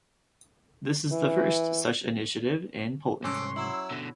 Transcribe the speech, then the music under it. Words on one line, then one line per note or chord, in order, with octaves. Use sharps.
This is the first such initiative in Poland.
E3
C2 G#2 C#4 A4 C6 D6
F#3 E4 E6
B2 D3